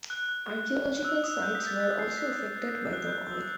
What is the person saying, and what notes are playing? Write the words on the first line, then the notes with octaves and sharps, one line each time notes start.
Archeological sites were also affected by the oil.
F#6
F#6
F#6
E6
D#6
G6
B6
A6
B6
C7
B6
G6
F#6
G6
F#6
E6